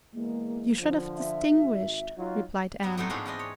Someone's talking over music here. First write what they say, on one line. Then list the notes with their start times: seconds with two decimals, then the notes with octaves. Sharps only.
"You should have distinguished," replied Anne.
0.14 E2 G#3 A#3
0.79 D3 F3
1.16 E5
1.48 G#1
2.17 F#3 D#4 F4
2.83 G2 G3 B3
2.97 A2 F#3 B3 C4 D#4 A4
3.10 G#2 F3 C#4 D4 F4 G4
3.26 E3 C4 D4 D#5
3.39 C#5